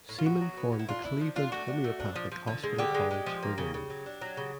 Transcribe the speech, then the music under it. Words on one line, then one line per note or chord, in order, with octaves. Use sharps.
Seaman formed the Cleveland Homeopathic Hospital College for Women.
A2
F4
B3 F#4
F#3
B3
A2
E4
D4 F4
D4 E4
F3
D4 F4
A3 F#4
D4
A3
D4
F3
F3
D3
G#3
D3 G4
G#3
G#3
F3
A#3
C#3
C#3
F#3
D4
F#3
C#3